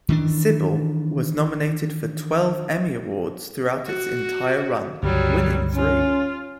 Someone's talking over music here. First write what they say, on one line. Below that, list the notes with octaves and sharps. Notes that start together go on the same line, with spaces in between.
"Cybill" was nominated for twelve Emmy Awards throughout its entire run, winning three.
D#3 E3 B3 D4
F#4
C#2 G2 D3 F#3 G3
C#4 F4